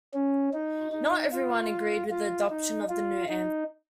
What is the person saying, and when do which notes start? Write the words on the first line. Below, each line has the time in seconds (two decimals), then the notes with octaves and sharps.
Not everyone agreed with the adoption of the new anthem.
0.14 C#4
0.53 D#4
0.92 D#4
1.33 F4
2.10 F4
2.49 D#4
2.89 F4
3.28 D#4